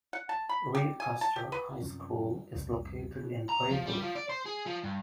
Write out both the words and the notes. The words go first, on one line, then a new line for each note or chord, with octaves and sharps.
Reed-Custer High School is located in Braidwood.
F#5
A5
B5
G4
G#5
A5
G4
B4
F#2 C3 F3 C#4
C2 F2
B2
A#5
F3
G3
F3
D5
C5
G#4
F3
G2